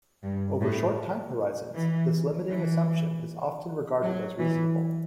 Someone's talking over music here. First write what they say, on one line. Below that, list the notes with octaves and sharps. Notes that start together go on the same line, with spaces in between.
Over short time horizons, this limiting assumption is often regarded as reasonable.
G2
A2
E3
E3
F#3
E3